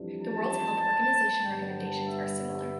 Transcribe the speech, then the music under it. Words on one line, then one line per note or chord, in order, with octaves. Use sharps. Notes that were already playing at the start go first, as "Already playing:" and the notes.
The World Health Organization recommendations are similar.
Already playing: F2 E3 G3 D4
A5
G2 D3 G3 B3 G5
A5
E5